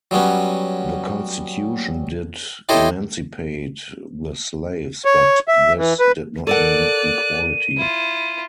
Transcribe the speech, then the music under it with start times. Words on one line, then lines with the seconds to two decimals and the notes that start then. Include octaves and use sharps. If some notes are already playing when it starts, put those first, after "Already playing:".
The constitution did emancipate the slaves, but this did not mean equality.
0.11 F#3 G3 B3 C#4
2.69 E4 G4 A4 C5 C#5 D#5
5.05 C#5
5.48 E5
5.78 E3
6.00 B4
6.47 A4 A#4 D5 F#5 F#6 D#7
7.77 E4 F4